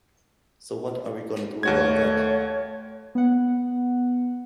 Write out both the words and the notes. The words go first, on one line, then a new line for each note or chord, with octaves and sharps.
So what are we gonna do about that?
D#2 A3 F#4 C#5 G#6
B3 F#5